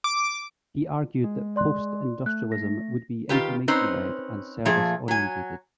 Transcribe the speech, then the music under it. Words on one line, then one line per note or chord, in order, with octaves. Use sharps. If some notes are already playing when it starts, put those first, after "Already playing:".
He argued that post-industrialism would be information-led and service-oriented.
D6
G#3
D5 C6 F#6
A3 F#6
A#6
D#3 F4 G4 B4
C4 C#4 D#4 B4 C5
A#2 F3 A3 G#4
F#3 G#5